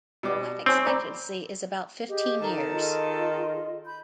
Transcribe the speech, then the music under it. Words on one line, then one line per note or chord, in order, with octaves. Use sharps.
Their life expectancy is about fifteen years.
B2 G3 D6
C4 C#5 G#5
D5 A#5 B5
G4 G#4 D#5
D#3 A4 A#5
F4 G#4 D#5
B5 G6